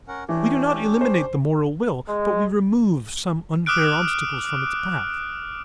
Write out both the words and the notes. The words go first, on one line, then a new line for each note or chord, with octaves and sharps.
We do not eliminate the moral will but we remove some unfair obstacles from its path.
C#4 A#4 F#5
E3 C#4 D4 G4
C5
G#3
D6 D#6 F6 F#6 D7